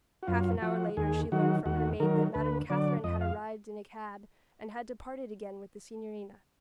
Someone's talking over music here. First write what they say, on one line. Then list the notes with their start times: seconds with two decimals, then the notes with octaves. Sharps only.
Half an hour later she learned from her maid that Madame Catherine had arrived in a cab and had departed again with the signorina.
0.23 F#4
0.27 F#2 F4
0.62 F3 F#4
0.97 D#2 G#4
1.32 D#3 F#3 F#4
1.66 D#2 F#4
2.00 D#3 F#3 A#4
2.34 D2 B4
2.70 D3 F#3 D5
3.04 F2 D#5
3.21 F5